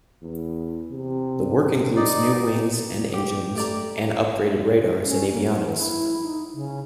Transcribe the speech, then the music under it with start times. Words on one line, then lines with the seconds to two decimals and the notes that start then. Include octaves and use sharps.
The work includes new wings and engines and upgraded radars and avionics.
0.22 E2
0.91 C3
1.96 D#4 D5
3.14 G4
3.55 A3 G4 D5 A#5
5.07 C#4
5.32 A#3
5.65 E3
5.78 E4
6.23 D#4
6.54 C#3